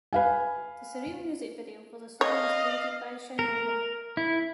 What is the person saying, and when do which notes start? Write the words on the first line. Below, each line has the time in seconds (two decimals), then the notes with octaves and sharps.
The surreal music video for the song was created by Shynola.
0.13 B4 F5 G#5
2.21 C#5 D#5 F5
3.39 A#4
4.17 E4